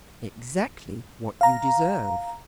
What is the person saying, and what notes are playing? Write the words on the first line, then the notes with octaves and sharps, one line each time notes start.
Exactly what you deserve.
F5 A#5